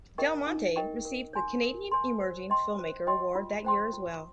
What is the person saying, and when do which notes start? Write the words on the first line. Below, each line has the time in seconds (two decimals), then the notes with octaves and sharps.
Del Monte received the Canadian Emerging Filmmaker award that year as well.
0.18 A#4 D#5 G5 C#6
0.47 D#4
0.76 A#4 D#5 G5 C#6
1.05 A#4
1.33 C#5 G#5 C6
1.62 A#4
1.91 C#5 G#5 C6
2.20 C5
2.50 D#5 G5 C6
2.79 C5
3.07 D#5 G5 C6
3.35 F4
3.65 C5 G5 C6
3.93 F4